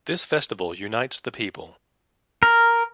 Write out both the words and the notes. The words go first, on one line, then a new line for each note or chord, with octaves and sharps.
This festival unites the people.
A#4